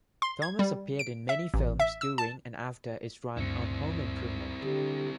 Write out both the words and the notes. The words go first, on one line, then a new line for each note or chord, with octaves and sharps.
Thomas appeared in many films during and after his run on "Home Improvement".
C6
G#6
G3
D7
E5
A1
E5
E6
A5
D2 G2 C4 E4 C#7
D3 G4